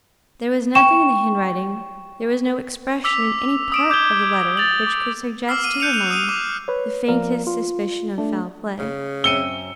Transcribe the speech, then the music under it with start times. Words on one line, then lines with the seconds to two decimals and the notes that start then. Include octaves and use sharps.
There was nothing in the handwriting, there was no expression in any part of the letter which could suggest to her mind the faintest suspicion of foul play.
0.75 G5 C#6 E7
3.04 D6 E6 B6 F7
3.72 D#6 D7 E7
3.89 D6 G6 G#6 G7
4.57 A6 F7 F#7
4.87 D6
5.48 D6 E6 F6 C7
5.64 D#7
5.80 F#6 G6 C#7 D#7 F7
5.93 F#6 F7
6.11 D#6 D#7 F7
6.29 D6
6.68 B4 C#5
7.08 F3 A#3 A#4 D5
7.47 F4
8.18 A3 D4
8.79 C#3
9.24 F#2 C4 C#4 E6 C#7 D#7 G7